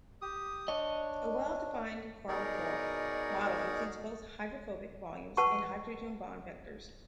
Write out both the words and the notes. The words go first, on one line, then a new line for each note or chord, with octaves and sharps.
A well-defined pharmacophore model includes both hydrophobic volumes and hydrogen bond vectors.
G4 D#6
D4 C#5 D#5
B2 D#4 G#4 A#4 C#5 D5
B4 F#5 A5 C#6